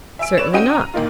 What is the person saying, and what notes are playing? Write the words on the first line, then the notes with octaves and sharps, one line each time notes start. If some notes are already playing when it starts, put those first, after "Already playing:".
Certainly not.
E5 G#5 E6 D7
B4 C#5 D5 E7
C#4 F#4 D#5 G5 D#7
A#5
A#2 D#3 A#3 D#4 F4